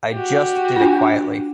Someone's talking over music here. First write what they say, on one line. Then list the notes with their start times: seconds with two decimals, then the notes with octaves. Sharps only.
I just did it quietly.
0.13 F#4 G4
0.76 D4 F4